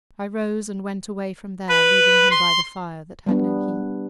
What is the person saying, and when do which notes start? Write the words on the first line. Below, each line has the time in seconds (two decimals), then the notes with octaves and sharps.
I rose and went away from there, leaving him by the fire that had no heat.
1.69 B4
2.31 C6
3.26 G3 B3 D4